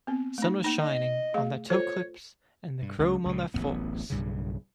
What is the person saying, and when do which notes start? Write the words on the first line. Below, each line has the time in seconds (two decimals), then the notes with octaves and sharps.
The sun was shining on their toe-clips and the chrome on their forks.
0.07 B3 C4
0.38 A3 D#4
0.64 A#3 D#4
0.81 D#5
1.34 A3 G#4 F5
1.70 F4 A4 C5 C#5
2.82 G2
2.99 C#2
3.25 C#2 A#2
3.54 D1 A1 F#2 B3
4.10 B1 G2 C#3